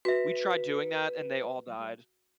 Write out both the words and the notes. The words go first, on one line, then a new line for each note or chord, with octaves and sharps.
We tried doing that and they all died.
F#4 B4 E5